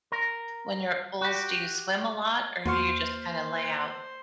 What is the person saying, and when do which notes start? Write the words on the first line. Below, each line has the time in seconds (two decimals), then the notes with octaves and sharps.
when you're at pools, do you swim a lot, or do you just kinda lay out?
0.12 A#4
1.21 F#4 G4
2.65 E2 A#3 F#4 C5 F5 C6 C#6